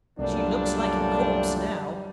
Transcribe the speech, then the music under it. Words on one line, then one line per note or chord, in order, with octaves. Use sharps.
She looks like a corpse now.'
C2 F#2 A#2 G3 A3 D4